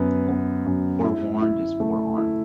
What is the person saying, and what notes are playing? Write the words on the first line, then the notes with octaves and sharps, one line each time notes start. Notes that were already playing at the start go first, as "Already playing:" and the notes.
Forewarned is forearmed.
Already playing: F#2 B3
B3
F#2
E4
E4
A3
E4